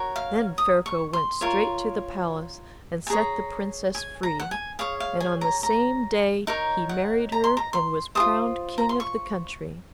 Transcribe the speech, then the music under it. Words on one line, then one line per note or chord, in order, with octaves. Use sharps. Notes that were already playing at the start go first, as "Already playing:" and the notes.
Then Ferko went straight to the palace and set the Princess free, and on the same day he married her and was crowned King of the country.
Already playing: F#4 A#4 C#5
F5
D#6
C#6
C6
F4 A#4 C#5
G#5
G#4 C#5 A#5
G#5
A#5
F#5
G#5
G#4 C#5 F5
F5
G#5
A#5
A#5
D#4 A#4 C#5
F#5
A#5
C6
A#5
C6
F4 G#4 C5 D#6
A#5
C6
C#6